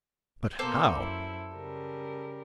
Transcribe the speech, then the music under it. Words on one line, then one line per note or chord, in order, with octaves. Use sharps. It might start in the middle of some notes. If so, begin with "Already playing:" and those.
But how!
B2 A#3 B3 A4 C5 D6
F#2 E4
C#3 G3 A#4